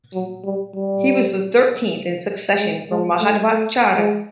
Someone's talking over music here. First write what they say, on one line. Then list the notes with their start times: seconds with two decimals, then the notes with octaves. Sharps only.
He was the thirteenth in succession from Madhvacharya.
0.14 F#3
0.44 G3
0.75 G3
2.58 G#3
2.90 G#3
3.20 A3
3.50 A3
3.96 G#3